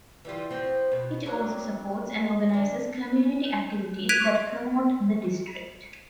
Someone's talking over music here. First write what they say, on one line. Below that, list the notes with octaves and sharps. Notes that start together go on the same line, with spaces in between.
It also supports and organizes community activities that promote the District.
E3 G3 F4
F3 C4 F#4
B2
F2 F#3 D4
D2 D4
F#6 G#6 B6 D7 D#7 F7